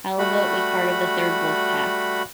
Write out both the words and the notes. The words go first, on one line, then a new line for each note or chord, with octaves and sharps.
"Halibut" was part of the third wolf pack.
G3 A3 F#4 B5